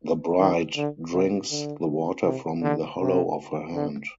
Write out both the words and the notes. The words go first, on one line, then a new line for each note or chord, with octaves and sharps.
The bride drinks the water from the hollow of her hand.
D#3
D3
C3
D3
C3
D3
C3
D3